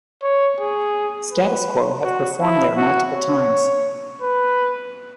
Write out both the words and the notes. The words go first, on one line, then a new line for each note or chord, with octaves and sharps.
Status Quo have performed there multiple times.
C#5
G#4
B4
F#4
E4
F#4
C#5
B4